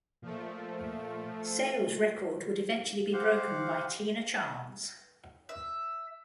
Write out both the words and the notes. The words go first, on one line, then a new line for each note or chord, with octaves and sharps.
Sales' record would eventually be broken by Tina Charles.
A#2 F3 A3
A3
G4 C5 F5 F#5
E5